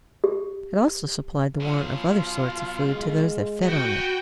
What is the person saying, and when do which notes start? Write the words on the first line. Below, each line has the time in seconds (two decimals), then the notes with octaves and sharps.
It also supplied the want of other sorts of food to those that fed on it.
0.24 G4
1.61 B2 F#3 F4
2.84 G#3
3.63 B3 F#4 G5